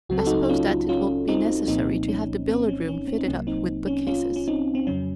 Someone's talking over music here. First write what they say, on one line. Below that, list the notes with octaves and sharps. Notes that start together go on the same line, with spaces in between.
"I suppose that it will be necessary to have the billiard-room fitted up with book cases."
C#2 C#3 F#3 C4 F#4
A4
D#4 F#4
D#4
C#4 F4
C#4 F4
C4 D#4
C2 A#2 F3 A#3 C4 D#4
C#4
C4
C#4
C#4
C4
D#4
C2 C3 F#3 A#3 C#4
C4 D#4
C#4
C#4 F4
C#4
C4 D#4
C4
F2 C#3 F#3 C#4